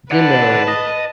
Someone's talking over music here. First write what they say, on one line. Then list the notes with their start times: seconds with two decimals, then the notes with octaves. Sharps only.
you know
0.11 B4 D5 F#5 A5
0.68 D#5